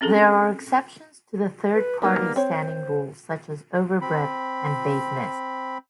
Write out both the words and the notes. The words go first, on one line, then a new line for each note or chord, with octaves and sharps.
There are exceptions to the Third Party Standing rule, such as overbreadth and vagueness.
C4 C#4 G#4 A4
B4
G3 A#3 B3 D#4
C4 C5 C#5
C4 B5